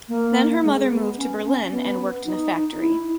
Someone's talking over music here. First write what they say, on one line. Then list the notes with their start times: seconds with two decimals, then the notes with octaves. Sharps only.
Then her mother moved to Berlin and worked in a factory.
0.09 A#3
0.63 G#3
0.90 B3
1.17 C#4
1.44 C#4
1.71 B3
2.25 D#4
2.79 E4